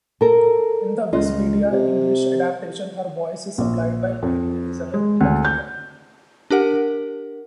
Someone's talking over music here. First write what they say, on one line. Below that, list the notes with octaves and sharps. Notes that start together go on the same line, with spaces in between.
In the Viz Media English adaptation, her voice is supplied by Mary Elizabeth McGlynn.
A4 A#4
C#2 F4 D#5
C3
A#1
F2
G#3
D2
G6
D4 G4 A#4 F#5